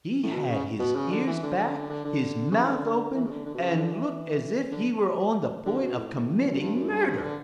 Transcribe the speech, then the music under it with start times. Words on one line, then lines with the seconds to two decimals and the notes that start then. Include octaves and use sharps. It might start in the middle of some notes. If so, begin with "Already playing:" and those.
He had his ears back, his mouth open, and looked as if he were on the point of committing murder.
0.23 A2
0.33 B2
0.49 C#3
0.79 B2
0.96 C#3
1.11 D3
1.27 E3
1.43 D3
1.58 D3
1.89 D3
2.05 D3
2.51 C#3
2.63 E3
2.67 D3
3.14 E3
3.24 C#3
3.30 D3
3.45 D3
3.54 B2
3.61 C#3
3.77 D3
3.92 E3
4.72 D3
5.65 D3
5.80 B2
5.96 A2
6.51 F#2
6.59 G2
6.75 F#2
6.90 G2
7.21 D3